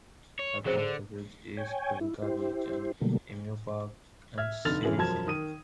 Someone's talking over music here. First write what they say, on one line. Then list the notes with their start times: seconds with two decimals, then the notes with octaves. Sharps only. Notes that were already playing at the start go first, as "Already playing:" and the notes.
Across the bridge, is Kinka Beach, and then Emu Park and Zilzie.
0.39 C#5
0.66 F2 F#3 G#4 C5
0.78 D3
1.57 C#5 G5 G#5
2.01 E4
2.22 E4 G4 C5
3.01 B2 D3 F#3 G3 A3 A#3
4.38 E5 F6 G#6
4.65 F1 D3 D#4 F6 A6 F7
4.83 F1 E3 C#4 G#4 F#7
4.97 E1 F#2 F3 A5 G#6 E7
5.27 D#3 D#6 D#7